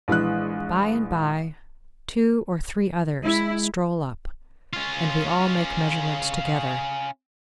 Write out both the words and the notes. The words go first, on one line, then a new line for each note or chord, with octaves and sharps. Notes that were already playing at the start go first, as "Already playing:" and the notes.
By and by two or three others stroll up, and we all make measurements together.
A#1 E3 G#3 F#6
G#3 E4
C#4 F4